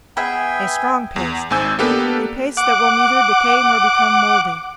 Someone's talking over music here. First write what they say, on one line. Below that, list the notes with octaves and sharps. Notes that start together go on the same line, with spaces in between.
A Strong Paste.--A paste that will neither decay nor become moldy.
B3 G#4 E5 G5 G#5
E2
G#1 G#2 C4 G#5 E6 G6
A#3 B3 D4 G4 A4 B4
F#5 D6